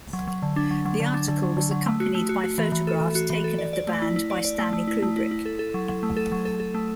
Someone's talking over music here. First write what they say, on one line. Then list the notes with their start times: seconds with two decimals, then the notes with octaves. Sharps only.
The article was accompanied by photographs taken of the band by Stanley Kubrick.
0.13 F#3
0.27 F#3
0.42 D3
0.56 D4
0.71 F#3
0.85 F#3
1.00 D3
1.14 D4
1.28 D3
1.43 F#3
1.57 D3
1.71 F#3
1.86 A3
2.00 F#4
2.15 A3
2.29 F#4
2.44 F#4
2.58 E3
2.72 E3
2.87 A4
3.00 E3
3.15 F#4
3.30 E3
3.44 A4
3.59 D5
3.73 D5
3.87 A3
4.02 E4
4.16 E4
4.30 D5
4.45 D5
4.59 A3
4.73 A3
4.87 E4
5.02 A3
5.16 E4
5.31 E4
5.46 A4
5.59 A4
5.74 F#3
5.89 F#3
6.03 A3
6.17 A4
6.32 F#3
6.45 A4
6.60 A4
6.75 A3